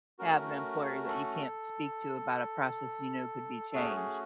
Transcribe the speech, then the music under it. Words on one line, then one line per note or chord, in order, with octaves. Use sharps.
have an employer that you can't speak to about a process you know could be changed,
A3 C#4 F#4 A#4
A4
A3 C#4 F#4 G#4
G#4